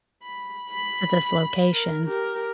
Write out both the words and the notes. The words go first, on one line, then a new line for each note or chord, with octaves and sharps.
to this location,"
B5
B5
A#4
G4 A#4